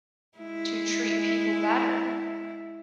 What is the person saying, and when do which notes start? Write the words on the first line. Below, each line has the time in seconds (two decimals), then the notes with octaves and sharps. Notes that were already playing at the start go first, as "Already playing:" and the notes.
to treat people better,
0.38 G#3 E4